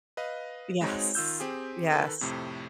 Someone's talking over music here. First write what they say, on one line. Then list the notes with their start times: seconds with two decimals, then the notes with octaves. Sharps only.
Yes. Yes.
0.17 B4 D#5 F5
0.81 G#3 C4 D#4 F#4 C#5
1.15 D#3 F4 E6 G6
1.40 C4 G4 G#4
1.92 D#3 A4 B4
2.21 F2 A2 C3